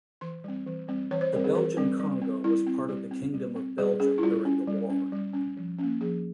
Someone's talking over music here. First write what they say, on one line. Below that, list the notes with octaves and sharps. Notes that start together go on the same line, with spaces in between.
The Belgian Congo was part of the Kingdom of Belgium during the war.
E3 C6
G3 C4
E3
G3 C4
E3 C#5
C5
G3 C4 A#4
G#4
E3 A#4
G3 C4
G3
C4
G3 E4
C4
G3 G4
C4
G3
C4
G3 G#4
C#4 G#4
E4
G3 F4
C#4
G3
C#4
G3
C#4
F3
A#3 C#4
F3 G#4